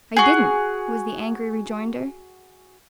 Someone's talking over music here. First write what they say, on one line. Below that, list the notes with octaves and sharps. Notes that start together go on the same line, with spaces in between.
"I didn't," was the angry rejoinder.
F#4 G#4